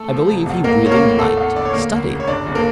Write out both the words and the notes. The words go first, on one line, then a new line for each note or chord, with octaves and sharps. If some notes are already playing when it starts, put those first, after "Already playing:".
I believe he really liked study.
Already playing: A3 A4
F3
F1
E2
A#1 A#3 A#4
A#1 C#5
A#3 A#4
A2
E2 A3 A4
E2
D3 D5
C#5
D2 A#3 A#4
D2
C#3
C#5
G1 D4 D5
G1
A#3 A#4